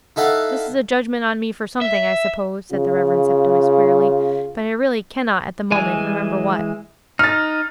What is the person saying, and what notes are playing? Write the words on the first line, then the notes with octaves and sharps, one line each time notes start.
'This is a judgement on me for something, I suppose,' said the Reverend Septimus, wearily, 'but I really cannot at the moment remember what.'
D#4 E4 A4 F5 F#5
E5
C#3 F4
E3 G#3 G#5
D#4 F6 A6